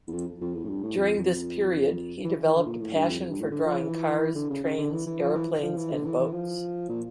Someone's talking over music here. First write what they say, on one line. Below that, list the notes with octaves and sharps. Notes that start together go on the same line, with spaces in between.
During this period he developed a passion for drawing cars, trains aeroplanes and boats.
E2
F2
F2
E2
A2
G2
A2
F2
F2
E3
E3
D3
A#2
A2
G2
F2
F2
G2
A2
D3
F3
E3
D3
C#3
C#3
D3
E3
E3
F3
E3
F3
E3
D3
E3
E3
F3
A#2